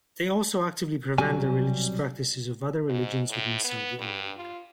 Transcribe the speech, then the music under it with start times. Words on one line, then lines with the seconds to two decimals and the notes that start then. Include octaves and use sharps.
They also actively prevent the religious practices of other religions within Saudi Arabia.
1.18 B1 C3 F#3 G3 G#5
2.89 G#2
3.30 A2
3.65 B3
3.99 G2
4.37 F4